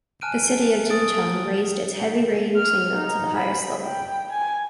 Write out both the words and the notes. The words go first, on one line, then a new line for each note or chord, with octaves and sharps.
The city of Jincheng raised its heavy rain signal to the highest level.
G#5 A5 F6 F#6 D7 D#7
D#6 A6 D7
F6
D#4
B5
G5
G#5